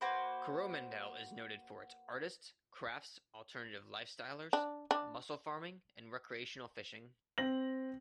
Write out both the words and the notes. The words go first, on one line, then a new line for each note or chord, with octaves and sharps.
Coromandel is noted for its artists, crafts, alternative lifestylers, mussel farming, and recreational fishing.
A#3 F#4 B4 C5
D4
D4
C4 A#6 F#7